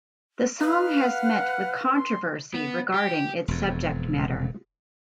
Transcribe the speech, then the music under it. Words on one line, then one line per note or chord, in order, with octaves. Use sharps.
The song has met with controversy regarding its subject matter.
D#4 B4 F5 F6
F#5
C6
B3
G4
E1 F2